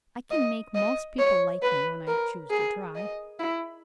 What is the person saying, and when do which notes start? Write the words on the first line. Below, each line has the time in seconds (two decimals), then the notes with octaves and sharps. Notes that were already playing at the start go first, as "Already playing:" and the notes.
I can make most people like me, when I choose to try.
0.31 D#5
0.75 D#5
1.19 C#5
1.63 B4
2.08 A#4
2.51 G#4
2.96 D#5
3.40 E4